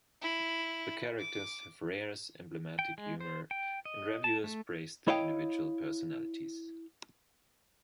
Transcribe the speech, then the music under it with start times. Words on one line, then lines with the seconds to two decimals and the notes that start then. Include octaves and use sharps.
The characters have Rare's emblematic humor, and reviewers praised their individual personalities.
0.22 E4
1.19 D6
2.79 G5
2.98 G#3
3.20 C5
3.51 G5
3.85 D#5
4.24 A5
4.44 A3
5.08 E4 C#5 D#5 F5 G5